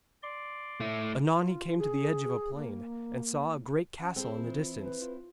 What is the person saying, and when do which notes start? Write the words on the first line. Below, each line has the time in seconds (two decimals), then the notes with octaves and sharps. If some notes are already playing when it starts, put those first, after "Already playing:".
Anon he came to the edge of a plain, and saw a great castle in the distance.
0.23 D5 C6
0.80 A3 E4
1.35 F4
1.78 G#4
2.55 A#3
4.00 C#4 F#5
4.16 C4 E4 G#4 A4 C5
4.44 E3 F4
4.82 B4
5.02 F4